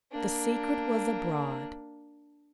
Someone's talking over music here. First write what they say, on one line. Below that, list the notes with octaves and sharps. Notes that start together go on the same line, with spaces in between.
The secret was abroad.
A#3 D4